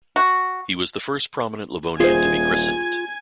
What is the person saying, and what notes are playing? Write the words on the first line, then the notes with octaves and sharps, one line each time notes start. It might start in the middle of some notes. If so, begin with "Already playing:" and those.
He was the first prominent Livonian to be christened.
F#4
D#1 F4 G#4 C5 G#5 G#6